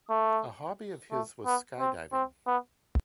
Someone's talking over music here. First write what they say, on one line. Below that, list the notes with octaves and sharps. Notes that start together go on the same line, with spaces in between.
A hobby of his was skydiving.
A3
A3
B3
C4
C4
B3